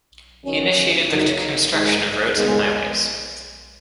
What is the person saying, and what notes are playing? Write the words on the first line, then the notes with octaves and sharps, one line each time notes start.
He initiated the construction of roads and highways.
D#3 F#3 C#4
F#2 C#3 F#3 A#3 D#4
G#2 D#3 G#3 D#4 G#4
D#2 C#3 G#3 B3